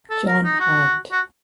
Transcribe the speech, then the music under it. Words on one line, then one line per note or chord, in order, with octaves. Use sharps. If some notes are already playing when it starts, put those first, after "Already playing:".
John Hand.
A4
A#4
D#4
F#4
F#4